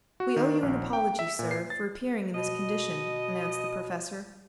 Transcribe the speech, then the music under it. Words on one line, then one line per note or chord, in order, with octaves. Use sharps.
"We owe you an apology, sir, for appearing in this condition," announced the Professor.
F#4
D#3
A#1
G5
E5
A#2
C7
A6
B2 D#5